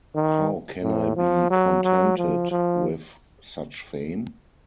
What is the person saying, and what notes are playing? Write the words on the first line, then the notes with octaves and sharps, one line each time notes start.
How can I be contented with such fame?
D#3
A2
F3
F#3
F#3
F3
F3